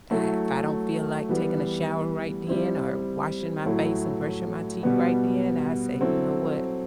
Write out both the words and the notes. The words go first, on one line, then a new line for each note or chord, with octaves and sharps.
I if I don't feel like taking a shower right then or washing my face and brushing my teeth right then, I say, "You know what?
F#3 A3 E4
E3 G3 B3
G3 C4 E4
A2 F#3 A3 E4
B2 G3 B3 F#4
F#3 C4 E4 A4